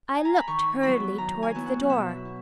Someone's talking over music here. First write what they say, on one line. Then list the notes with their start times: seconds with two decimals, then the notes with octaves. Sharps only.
I looked hurriedly towards the door.
0.15 G#5
0.25 A#5
0.36 B5
0.47 D#3 C#6
0.83 F#3 B3 E4 B5
1.18 D#3 A#5
1.43 G#5
1.55 F#3 B3 E4
1.66 F#5
1.83 F#5
1.89 B2 E5
2.25 E4